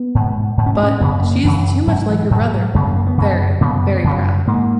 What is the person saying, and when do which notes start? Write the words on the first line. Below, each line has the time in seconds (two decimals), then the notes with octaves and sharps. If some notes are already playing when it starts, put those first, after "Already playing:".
But she is too much like her brother — very, very proud.
Already playing: B3
0.15 G#2
0.57 G#2
0.66 C#4
0.75 B3
0.83 C#4
1.00 F#2 C#3 B3
1.23 A#3
1.44 F#2 C#3 E3
1.87 G#2 F#3
2.09 E3
2.31 G#2 F#3
2.75 F#2 C#3 G#3
2.85 A#3
2.96 A#3
3.07 B3
3.17 F#2 C#3
3.61 F#2 C#3 B3
4.04 F#2 C#3
4.47 G#2 A#3